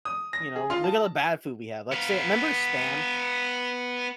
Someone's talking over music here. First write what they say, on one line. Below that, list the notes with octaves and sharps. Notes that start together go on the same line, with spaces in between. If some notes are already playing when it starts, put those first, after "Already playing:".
You know? "Look at the bad food we have." Like, say, 'member Spam?
D#6
A#6
G#4
F4
A5
B3 F5